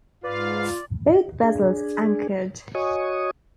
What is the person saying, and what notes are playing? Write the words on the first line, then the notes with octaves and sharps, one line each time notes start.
Both vessels anchored.
G#2 F4 B4 D5 F5
D4 G#4
F#4 C#5 D#5 G#5 C#6 D#6